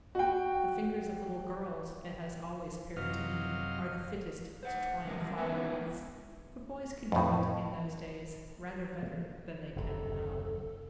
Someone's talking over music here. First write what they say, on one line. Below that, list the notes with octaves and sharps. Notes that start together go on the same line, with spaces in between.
The fingers of little girls, it has always appeared to me, are the fittest to twine flower wreaths; but boys could do it, in those days, rather better than they can now.
F#4 G5
F#2 C3 F#3 D#5 F5 F6
C5 F#5
D#3 F#3 G3 C#4 G#4 A#4
G#3 B3 D#4 B4 C#5 E5
F2 A2
F#1 D#2 C3 A4